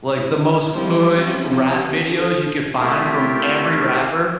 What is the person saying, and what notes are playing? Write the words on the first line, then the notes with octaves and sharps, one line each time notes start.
like, the most hood rap videos you could find from every rapper,
E4
D#3 F3 G3 G#3 C4 E4
F3 C4 C#4 E4
B3 C#4 G4
A4
A3 C4 E4 F4 G4 A#4